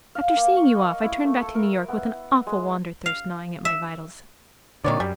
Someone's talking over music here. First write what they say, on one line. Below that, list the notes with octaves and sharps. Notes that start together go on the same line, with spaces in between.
After seeing you off, I turned back to New York with an awful wander-thirst gnawing at my vitals.
F5
A#3
C#6
D#5
E4
A3
A4
A#4
B3
G#3
F5
E5
A#2 D3 D#3 C#5 D5
F#2 G3